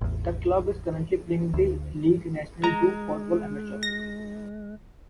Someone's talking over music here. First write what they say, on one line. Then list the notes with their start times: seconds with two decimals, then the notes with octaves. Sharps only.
The club is currently playing the Ligue Nationale du Football Amateur.
0.01 A1 E2
1.54 D2
2.64 G#3 A#5
3.83 A#6